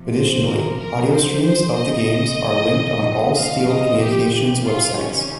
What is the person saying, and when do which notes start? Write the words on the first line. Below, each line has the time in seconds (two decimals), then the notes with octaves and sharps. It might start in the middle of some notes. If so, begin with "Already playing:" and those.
Additionally, audio streams of the games are linked on all Steele Communications web sites.
Already playing: C3 F3
0.14 C5
0.46 A#4
0.79 A#4
1.10 C5
1.42 C5
1.75 D#5
2.07 A#2 F3
3.35 F5
3.68 D#5
4.00 G4
4.65 C3 D#3 G3 F4
4.96 C#4